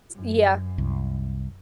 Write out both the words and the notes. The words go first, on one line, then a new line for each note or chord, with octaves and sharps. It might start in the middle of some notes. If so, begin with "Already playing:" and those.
S yeah,
F#2
C2